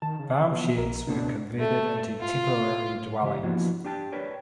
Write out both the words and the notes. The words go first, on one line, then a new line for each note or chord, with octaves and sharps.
Farm sheds were converted into temporary dwellings.
D#3 A5
C#3
F3 B3
A#1 A#4
C#2 B2 C4 D4
A3
F4
C#3 E3 C#4 G4 E5
F3 A#3 B3 D4 E4 F#4
D4 G4 G5 A5
A#4 B4 C#5 D5 G5